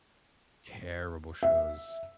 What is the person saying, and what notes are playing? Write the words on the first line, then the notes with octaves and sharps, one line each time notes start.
Terrible shows.
E5